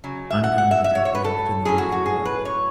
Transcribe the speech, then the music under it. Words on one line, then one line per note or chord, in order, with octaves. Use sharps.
I’m going to take the afternoon off work.
C#3 F#3
E5
F#5
F#5
E5
E5
C#5
C#5
B4
A4
A2 F#3 C#4 G#4
F#4
F#4
G#4
B4
C#5